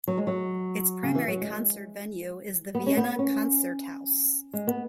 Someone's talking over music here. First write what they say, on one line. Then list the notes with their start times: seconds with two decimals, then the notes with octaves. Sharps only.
Its primary concert venue is the Vienna Konzerthaus.
0.08 F#3
0.18 G#3
0.27 F#3
1.03 C#3
1.15 E3
1.28 F#3
1.41 G#3
2.75 B3
2.86 C#4
2.97 B3
3.19 C#4
4.53 G#3
4.67 B3